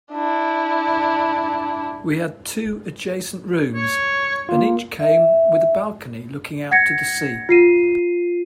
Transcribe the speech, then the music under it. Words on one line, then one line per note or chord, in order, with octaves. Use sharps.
We had two adjacent rooms, and each came with a balcony looking out to the sea.
D4 E4
C#5
A#3 F4
E5
F#5 G#6 A#6 C#7
F4 C7 D#7